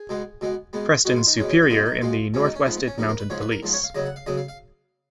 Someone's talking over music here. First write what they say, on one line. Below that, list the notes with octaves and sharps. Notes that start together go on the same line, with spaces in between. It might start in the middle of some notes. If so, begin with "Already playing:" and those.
Preston's superior in the North-West Mounted Police.
Already playing: G#4
B2 G#3 B3
B2 G#3 B3
B2 G#3 B3
B2 G#3 B3 F#4
F4
D#4
B2 G#3 B3 C#4
C#4
F#4
B2 G#3 B3 F4
D#4
B2 G#3 B3 F4
B2 G#3 B3 C#4
D#4
C#4
G#2 F3 B3
B3
C#4
G#2 F3 B3 D#4
A#4
B4
G#2 F3 B3 C#5
B4
A#4
G#2 F3 B3
C#5
F5
C#3 F#3 B3 D#5
F#5
F5
C#3 F#3 B3 D#5
F5
F5